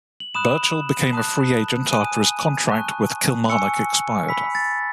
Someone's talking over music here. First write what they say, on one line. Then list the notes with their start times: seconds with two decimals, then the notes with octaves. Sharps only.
Burchill became a free agent after his contract with Kilmarnock expired.
0.20 F#7
0.35 B5 D#6 F#6 E7
1.13 A5 D#6 F#6
1.92 G#5 D#6 F#6 D#7
2.71 A5 C#6 F#6
3.50 G#5 C#6 E6 C#7
4.29 B5 E6 B6
4.55 A6